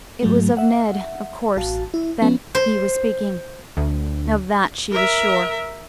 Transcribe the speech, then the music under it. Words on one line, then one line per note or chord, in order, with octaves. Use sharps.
It was of Ned, of course, that he was speaking. Of that she was sure.
G#2 F#3 A3
E5 F#5
A1 F#4 F5 A5
E4
F3 B3 C#4
C5
D2
A#4 E5